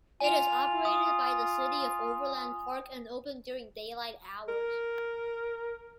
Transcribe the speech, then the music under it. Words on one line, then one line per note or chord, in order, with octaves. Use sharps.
It is operated by the City of Overland Park, and open during daylight hours.
F4 G#5 F7
D#6
A#4